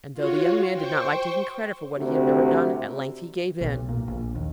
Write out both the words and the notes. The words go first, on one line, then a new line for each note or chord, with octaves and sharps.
And though the young man did not like taking credit for what he had never done, at length he gave in.
F4 F#4 C#5
C5 G5 C#6
D2 C3
B1
A#2
A#1
D#2